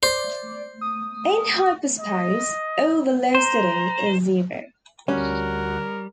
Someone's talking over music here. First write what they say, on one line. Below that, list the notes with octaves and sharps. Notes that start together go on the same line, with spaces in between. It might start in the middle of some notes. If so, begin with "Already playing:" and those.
In Hyperspace, all velocity is zero.
C5 D5
D#6
D#5
C5 A#5
D2 G3 C#4 F#4 A#4 F#5